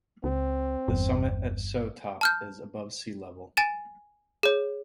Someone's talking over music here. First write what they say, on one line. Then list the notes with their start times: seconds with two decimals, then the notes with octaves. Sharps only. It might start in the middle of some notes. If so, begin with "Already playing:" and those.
The summit at Sough Top is above sea level.
0.24 C#2 C4
0.88 G1 E2
2.21 A5 F6 G6
3.57 G#5 A6 D#7 E7
4.43 G#4 C#5